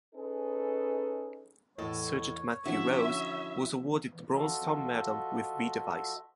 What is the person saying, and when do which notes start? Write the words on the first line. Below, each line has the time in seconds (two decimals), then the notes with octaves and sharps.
Sergeant Matthew Rose was awarded the Bronze Star Medal with "V" Device.
0.15 C#4 D#4 G#4 A4 B4
1.78 E2 A2 A4 C#5 D#5
2.66 D3 F3 C#4 E4 F#4 E5
4.35 F3 F4 F#4 A4 D#5 E5